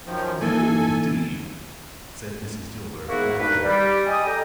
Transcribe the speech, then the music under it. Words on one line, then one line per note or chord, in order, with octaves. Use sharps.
"No, indeed," said Mrs. Dilber, laughing.
F#2 D#3 F3
E3 A#3 D#4 A4 G#5
G#2 A#3 B3 E4 F#4 C#6
C2 G2 D#4 B4
G3
G4 D#5 G5 G#5 D#6
A4 D5 D#5 G5 A#5